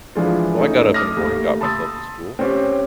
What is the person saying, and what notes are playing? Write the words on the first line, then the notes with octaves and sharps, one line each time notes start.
So I got up in the morning, got myself to school,
E3 F3 G#3 D4 F4
A3 C#4 D#4
D6 D#6 F6 A#6
D#2 A3
A5 B5 C6 D#6 E6 A6
C4 C#4 G4